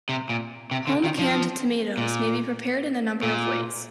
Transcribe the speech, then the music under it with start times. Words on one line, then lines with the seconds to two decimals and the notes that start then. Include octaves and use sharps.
Home canned tomatoes may be prepared in a number of ways.
0.09 C3
0.29 A#2
0.71 C3
0.87 D3
1.04 D#3
1.19 F3
1.97 A#2
3.23 A#2